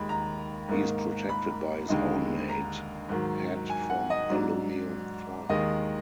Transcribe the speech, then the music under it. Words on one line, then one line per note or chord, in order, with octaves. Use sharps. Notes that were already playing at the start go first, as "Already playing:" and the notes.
He is protected by his own made hat from alumium foil.
Already playing: D#2 D#3 G#3 B5
A#5
G#2 D#3 A#3 D#4
B5
D#2 D3 G#3 D#4
A#5
G#2 D#3 F#3
G#5
F#5
D#5
G#2 F#3 D4
D#2 D#3 G#3 D#5